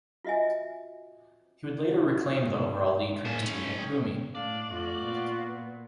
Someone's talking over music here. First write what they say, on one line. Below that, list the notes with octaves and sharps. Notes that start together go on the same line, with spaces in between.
He would later reclaim the overall lead from his teammate Buemi.
F4 F#4 D#5 E5 G#5
G2 D3 A3
E2 G#2
A#3 C#4 G#4 F5 A5
B1 C#3
G5 C#6 D#6
A2 D4 D5 F5
F2 A3 F4 F#4
A#2 B3